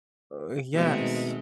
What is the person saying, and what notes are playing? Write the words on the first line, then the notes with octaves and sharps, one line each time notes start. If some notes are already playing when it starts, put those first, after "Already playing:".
Oh, yes,
B2 D#3 G#3 A3 C4